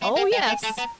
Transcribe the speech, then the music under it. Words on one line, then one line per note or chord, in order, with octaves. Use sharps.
"Oh, yes."
B3 E5
G5
A#3 F#5
G#3 G5
A3 G#5
A3 A5
B3 A#5